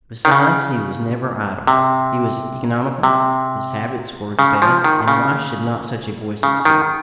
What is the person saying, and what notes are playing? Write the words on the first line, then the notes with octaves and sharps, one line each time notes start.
Besides, he was never idle, he was economical, his habits were the best, and why should not such a boy succeed?
D#3
C#3
C3
C3
C#3
F3
D#3
C#3
C#3
D#3